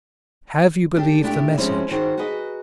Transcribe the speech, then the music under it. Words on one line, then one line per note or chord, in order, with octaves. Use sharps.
Have you believed the message?
D4 G4
A#2 A3 D4 E4 G4 E5
F3 G3 G#3 C4 C#4 E4
D#3 F#4 G#4 C5
F#4 G#4 A#4 B4 D#5